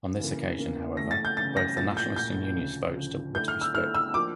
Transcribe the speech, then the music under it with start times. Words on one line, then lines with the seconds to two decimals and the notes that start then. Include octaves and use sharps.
On this occasion, however, both the nationalist and unionist votes were to be split.
0.19 C#3 E3 A#3
0.58 C#3 E3 A#3
0.97 C#3 E3 A3 C#4 A#6
1.11 A6
1.25 G6
1.37 C#3 E3 A3 C#4 A6
1.57 A#6
1.77 A#2 F3 A3 E4 A6
1.97 G6
2.16 A#2 F3 A3 E4 G6
2.56 D2 C#3 F3
2.95 D2 C#3 F3
3.35 D3 A3 E4 A4 G6
3.48 F6
3.61 E6
3.75 D3 A3 E4 A4 F6
3.95 E6
4.14 F3 A#3 D4 D6